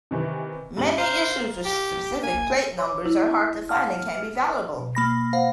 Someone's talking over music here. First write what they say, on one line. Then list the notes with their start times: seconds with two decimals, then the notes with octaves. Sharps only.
Many issues with specific plate numbers are hard to find and can be valuable.
0.11 C3 D#3 E3
0.77 G2 C#3 F#7
0.98 C5 F5 A#5 F6
1.65 G4
2.23 A#3 G#5
2.78 C#5 C6 D6
3.06 E4
3.69 F5 F#5 A5 F6
4.79 B2
4.95 A#3 B5 A#6
5.33 C5 F5 F#5